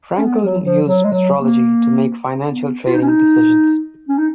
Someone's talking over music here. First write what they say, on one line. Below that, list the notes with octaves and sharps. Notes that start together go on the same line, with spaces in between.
Frankel used astrology to make financial trading decisions.
C#4
B3
F#3
F3
F#3
G#3
F#3
A#3
B3
F4
D#4
C#4
D#4
C#4
D#4